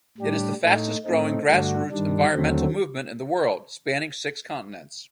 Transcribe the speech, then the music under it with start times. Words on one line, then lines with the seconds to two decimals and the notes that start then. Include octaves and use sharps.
It is the fastest growing grassroots environmental movement in the world, spanning six continents.
0.18 A2 G3 D4 G4
0.61 A2 A3 D#4
1.04 A2 A3 C4 D#4
1.47 G2 D3 A3 D4 F#4
1.89 G2 D#3 G3 D4
2.33 D#2 D3 F#3 A3 C4